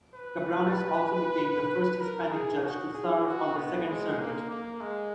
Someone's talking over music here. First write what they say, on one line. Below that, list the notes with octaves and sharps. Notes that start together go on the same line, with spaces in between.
Cabranes also became the first Hispanic judge to serve on the Second Circuit.
B4
A#4
G#4
F#4
G#4
F#4
B3
G#3
A#3
A#3
G#3